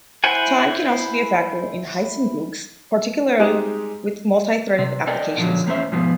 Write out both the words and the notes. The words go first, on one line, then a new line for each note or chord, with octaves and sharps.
Time can also be a factor in heisenbugs, particularly with multi-threaded applications.
E4 C5 F#5 G#5
G3 G#3 C4 D#4 G4 G#4
C3
A4 A#4 D5 D#5 G5
A#2 D3 F3 F#3
E2 A2 A#3 C#4 C5 E5
G#2 B2 F3 B3